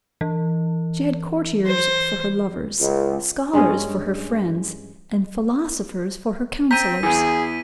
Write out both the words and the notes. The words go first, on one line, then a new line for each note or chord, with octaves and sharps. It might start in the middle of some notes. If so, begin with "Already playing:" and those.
She had courtiers for her lovers, scholars for her friends, and philosophers for her counsellors.
E3
C5
C#2
G2 G#3 C#4 D#5
C4 A#5 G6 B6 D#7
E2 E3 G#4